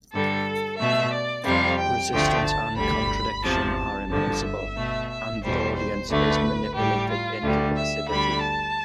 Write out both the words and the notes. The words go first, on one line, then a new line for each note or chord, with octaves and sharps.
Resistance and contradiction are impossible, and the audience is manipulated into passivity.
G2 D3 G3 A4
B2 A3 E5
D5
F2 C3 G3 F5
G5
D2 D3 F3 A3 G5
A5
D2 D3 G3 B5
E2 C3 F3 A5
A5
G2 D3 F3 A5
E5
B2 A3
E5
E2 B2 G3 C5
C5
D2 D3 A3 B4
A2 G3 G4
F4
D2 D3 G3
E5
D2 D3 G3 B5
A5